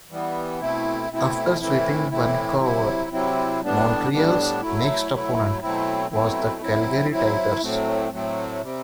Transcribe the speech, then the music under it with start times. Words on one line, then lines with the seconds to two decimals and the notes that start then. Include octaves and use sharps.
After sweeping Vancouver, Montreal's next opponent was the Calgary Tigers.
0.11 E3 G3 B3
0.60 B2 A3 C4 E4
1.10 B2 A3 C4 E4
1.61 A2 E3 A3 C4 E4
2.11 A2 E3 A3 C4 E4
2.60 C3 F#3 C4 E4
3.11 C3 F#3 C4 E4
3.61 A2 G3 B3 D4
4.11 A2 G3 B3 D4
4.61 F#3 A3 E4
5.12 F#3 A3 E4
5.62 B2 F#3 A3 C4 E4
6.11 B2 F#3 A3 C4 E4
6.61 F#3 C4 E4
7.11 F#3 C4 E4
7.62 A2 F#3 A3 C4
8.12 A2 F#3 A3 C4
8.62 C3 G3 C4